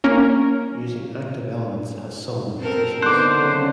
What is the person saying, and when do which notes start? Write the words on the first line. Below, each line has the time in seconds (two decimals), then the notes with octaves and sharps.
Using active elements has some limitations.
0.04 A#3 C#4 A#4
2.58 C4 A4 A#4
3.02 D3 B3 D#4 C5 D6 F#6
3.35 C#3 F#3 C#4